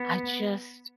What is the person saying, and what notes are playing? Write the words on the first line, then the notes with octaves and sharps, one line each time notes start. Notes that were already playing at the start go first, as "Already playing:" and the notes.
I just,
Already playing: B3